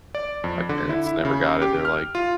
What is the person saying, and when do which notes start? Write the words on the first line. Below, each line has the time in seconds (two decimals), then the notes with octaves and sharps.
my parents never got it, they're, like,
0.15 D5
0.44 F2
0.69 D3
0.89 E4
1.07 E4
1.25 C#3
1.62 G4
1.85 F6
2.15 F4